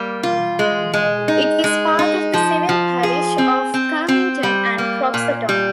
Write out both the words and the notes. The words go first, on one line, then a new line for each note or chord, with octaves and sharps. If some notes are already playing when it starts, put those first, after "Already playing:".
It is part of the civil parish of Kirmington and Croxton.
Already playing: G3 A#3
F4
G#3
G#3
D#4
G#3
D#4
F3
F3
G#4
C4
C4
C4
G3
A#3
A#2
G3